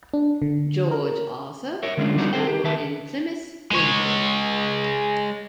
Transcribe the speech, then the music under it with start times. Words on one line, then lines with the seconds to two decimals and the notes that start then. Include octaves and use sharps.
George Arthur was born in Plymouth, England.
0.13 D4
0.42 D3
0.91 A#4
1.83 A#4 C#5 E5
1.97 D3 G#3 C#4 D4 F4
2.17 G3 C4 D4 D#4 F#4 A#4
2.33 C4 G#4 C5 G5
2.47 G4
2.64 D#3 B4 E5 A5
3.71 G#3 C#5